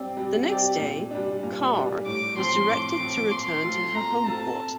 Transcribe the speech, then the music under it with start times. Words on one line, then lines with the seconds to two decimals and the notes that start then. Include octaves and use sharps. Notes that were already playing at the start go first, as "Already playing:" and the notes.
The next day, "Carr" was directed to return to her homeport.
Already playing: G3 C4 G4 D5
0.17 G3
0.48 C4 G4 D5
0.80 A#2
1.11 G3 D4
1.43 A#2
1.74 G3 D4
2.06 A2 D6
2.37 F3 C4 C6
2.68 A2 D6
3.00 F3 C4
3.32 A#2 C6
3.63 A3 C4 F4 A4
3.95 A#2 A#5
4.26 A3 C4 F4 A4 A5